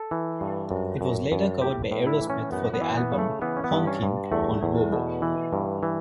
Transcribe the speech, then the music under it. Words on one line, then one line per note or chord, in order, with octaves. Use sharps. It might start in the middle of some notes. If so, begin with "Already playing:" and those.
It was later covered by Aerosmith for the album "Honkin' on Bobo".
Already playing: A4
E3
G2
F#2
F#2
F#2
A2 G4
A2
E4
E3
C#4
F#2 B3
B3
E3
B3
C#3
A3
E3 B3
C#4
B3
G2
C#4
G2
E2 A3
E2
B2
E3
G2
E3